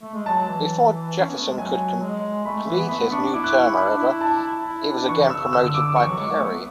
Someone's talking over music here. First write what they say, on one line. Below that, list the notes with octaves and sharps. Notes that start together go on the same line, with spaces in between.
Before Jefferson could complete his new term, however, he was again promoted by Perry.
A3
G#3
F#3 A5
E3
C#4
B3
A3
G#3
F#3 G#5
G#3
A3 B5
E3
B3
A3 B5
B3
D4 C#6
D4
E4 D6
F#6
C#6
D4 B5
E4
A5
E4
D4
E3 C#6
C#3
E6
C#3
D3 E6
D6
E3 C#6
F#3
G#3
A3
B3